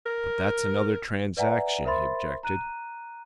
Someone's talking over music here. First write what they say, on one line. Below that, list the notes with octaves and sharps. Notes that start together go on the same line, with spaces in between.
"But that's another transaction," he objected.
A#4
B4 D5 E5 F#5 G#5 A#5
A#4 C5 E5 B5 C6 A6
A#5 F#6 D#7